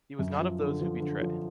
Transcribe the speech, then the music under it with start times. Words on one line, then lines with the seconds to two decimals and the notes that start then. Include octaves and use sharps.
He was not of those who betray.
0.19 F#2
0.39 F3
0.60 D3
0.81 F3
1.00 D3
1.21 F3